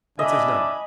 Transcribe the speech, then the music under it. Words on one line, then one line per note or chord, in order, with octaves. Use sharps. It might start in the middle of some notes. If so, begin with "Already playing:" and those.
What's his number?
D4 D#5 E5 G#5 B5